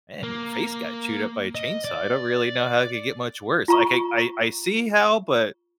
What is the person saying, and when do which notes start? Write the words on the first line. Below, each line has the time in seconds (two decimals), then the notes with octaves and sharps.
"Man, your face got chewed up by a chainsaw. I don't really know how it could get much worse." Like, I I I see how, but,
0.23 A#3
1.55 D#5
1.85 D5
3.68 F4 A#5 C#6